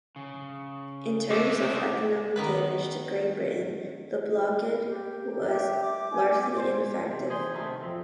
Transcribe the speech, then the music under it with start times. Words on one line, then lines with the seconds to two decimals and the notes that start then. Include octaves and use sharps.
In terms of economic damage to Great Britain, the blockade was largely ineffective.
0.16 C#3
1.31 G#3 A3 G4 D6
2.36 D#3 B3 B4
4.86 G4
5.45 G4 E5
5.81 D6
6.11 G#5
6.56 C5
7.07 E2 C3
7.30 G#4 C5
7.54 C3 D#3 A3
7.80 F2 C4